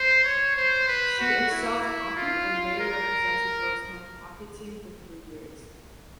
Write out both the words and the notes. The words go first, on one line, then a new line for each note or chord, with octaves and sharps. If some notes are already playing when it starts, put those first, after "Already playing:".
She excelled hockey and later represented Gauteng hockey team for three years.
Already playing: C5
C#5
C5
B4
F#4
E4
E4
F4
A#4